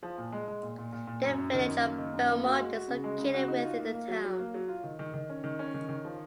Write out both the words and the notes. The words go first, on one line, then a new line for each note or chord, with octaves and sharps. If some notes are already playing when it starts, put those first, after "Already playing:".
The Village of Belmont is located within the town.
F3
A#2
G#3
G#3
A#2
A#2
A#2
A#2
F#2
F#2
D#3
F#2
A#3
D#3
F#2
A#3
F#4
G#3
F#4
C#3
G#3
C#3
F#4
D#4
F4
A#3
A#3
F#3
F#3
A#3
F#3
F4
D#3
D#3
D#3
C#4
D#3
C#4
D#3
D#3
F3